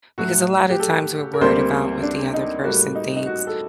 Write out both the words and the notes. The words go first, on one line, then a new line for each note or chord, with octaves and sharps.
because a lot of times, we're worried about what the other person thinks
A2 F#3 A3 F#4
G4
A4
A#4
D2 C3 G3 A#3 C5
D4
D#4
A2 G3 A#3 F#4
D#4
D#4
F#4
A4